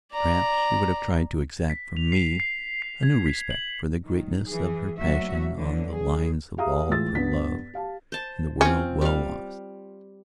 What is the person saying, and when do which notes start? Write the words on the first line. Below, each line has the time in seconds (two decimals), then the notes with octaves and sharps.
Or perhaps she would have tried to exact from me a new respect for the greatness of her passion on the lines of all for love and the world well lost.
0.14 D5 A#5
1.70 B6
1.97 F7
2.12 C7
2.40 C7
2.82 C7
3.03 G#6
3.26 B6
3.50 F#7
4.05 D#3 F#3
4.46 E3 G#4
4.97 D2 F#3 A#3 F#4 E5
5.57 D3 E3 F#3
5.93 G#4
6.58 G4 G#4 E5 F5 A#5 D#6
6.89 A2 E3 G#3 F4 E6 A6
7.15 G2 B3 B6
7.74 G4 F5 A5
8.12 C5 A5
8.61 C4 C#4 F4
9.01 G3 F5